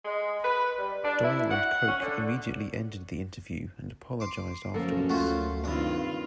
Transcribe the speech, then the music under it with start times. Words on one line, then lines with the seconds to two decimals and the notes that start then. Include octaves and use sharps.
Doyle and Koch immediately ended the interview and apologised afterwards.
0.05 G#3
0.44 B4
0.79 G3
1.04 D4
1.24 E4
1.51 F#5
1.88 C#4
2.02 D3
4.20 C6 D6
4.74 F#2 F3 F#3 A#3 C#4 A4
5.09 D2 A3 F4 F#4 C5
5.64 G2 D#3 C4 D4 E4 F4 D#6